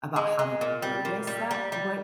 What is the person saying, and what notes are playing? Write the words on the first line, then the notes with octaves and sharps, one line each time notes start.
about how to notice that, what
G#3
G#3
A#2
G3
A#2
G3
G3
G3